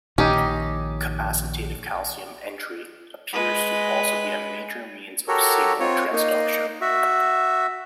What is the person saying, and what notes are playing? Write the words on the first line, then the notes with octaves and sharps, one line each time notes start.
Capacitative calcium entry appears to also be a major means of signal transduction.
A#1 A#2 D#3 C#4 D#4 G4
G#3 B4
F#4 G4 A4 A#4 C#5
C4 F4 C#5
A#3 D#4
F#4 E5